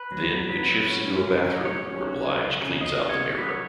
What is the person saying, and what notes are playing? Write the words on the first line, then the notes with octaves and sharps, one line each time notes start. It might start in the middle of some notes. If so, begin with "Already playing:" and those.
Then, it shifts into a bathroom where Blige cleans out the mirror.
Already playing: B4
F#3
F#3
F#3 B4
F#3
C#4
C#4
F#3
F#3
F#3 C#5
C#4
F#3
F#3
C#3
C#3
C#3 D#5
B3
C#5
C#3
F#3 B4
C#5